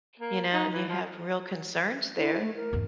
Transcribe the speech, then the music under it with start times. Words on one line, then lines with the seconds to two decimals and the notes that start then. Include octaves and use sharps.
you know, and you have real concerns there,
0.20 A#3
0.53 D#4
0.73 E3
0.89 F3
2.17 E4
2.41 A3
2.56 A#4
2.73 G#1 E2